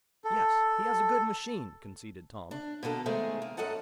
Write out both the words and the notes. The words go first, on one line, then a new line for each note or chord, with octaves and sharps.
"Yes, he has a good machine," conceded Tom.
A4
D4
B2 D3 A#3 A4
D#3 G#3 A3 C4 G#4
A#3
F#2 A4 D#5 F#5 A5